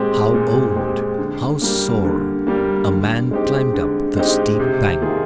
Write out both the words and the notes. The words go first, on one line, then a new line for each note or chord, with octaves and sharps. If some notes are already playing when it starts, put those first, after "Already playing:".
How old, how sore a man climbed up the steep bank!
Already playing: A#2 G#3 C4 G4
A#2
G#3 C4 G4
D3
G3 A#3
D3
G3 A#3
D3
G#3 C4 D#4 G4
D3
G#3 C4 D#4 G4
C3
D#3 A#3 F4 G#4